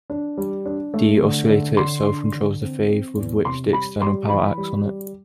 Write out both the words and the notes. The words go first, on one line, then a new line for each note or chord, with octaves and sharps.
The oscillator itself controls the phase with which the external power acts on it.
D4
G3
D4
A3
D3
D3
D3 C6
D4
D3
C4
C4
E2
C3 C6
G3 B5
G3 C6
E3 B5
G3
G3